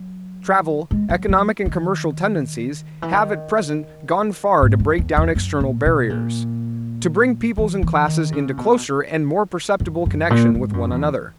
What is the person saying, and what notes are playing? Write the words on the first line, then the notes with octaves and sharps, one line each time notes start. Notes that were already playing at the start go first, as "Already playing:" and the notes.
Travel, economic and commercial tendencies, have at present gone far to break down external barriers; to bring peoples and classes into closer and more perceptible connection with one another.
Already playing: F#3
G#3
F#3
F#3
D#3
E3
D#3
G#2
F#2
E2
E2
F#2
A#2
B2
A#2
E3
E3
D#3
C#3
B2
F#2
F#2
A#2
G#2
F#2
E2